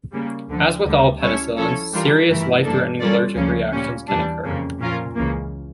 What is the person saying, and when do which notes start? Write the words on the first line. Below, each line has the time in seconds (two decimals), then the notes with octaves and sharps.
As with all penicillins, serious life-threatening allergic reactions can occur.
0.13 C#3 G3 A#3
0.49 D2 D3 F3
0.85 D2 D3 G3
1.21 G3 C#4 E4 A4 C#5
1.57 F3 C#4 E4 A4 C#5
1.92 E3 G3 D4 F4 A#4
2.29 G2 E3 A3 E4 A#4
2.65 G2 E3 A#3 D4 A4
3.00 G3 C#4 F4 A4 D5
3.36 D2 C#3 F3 A#3 C#4
3.72 A#2 G3 C#4
4.08 E2 E3 G3 D4
4.44 F2 C#3 F3 A#3
4.80 A#2 F3 C#4 F4 A#4
5.15 C#2 C#3 E3 A#3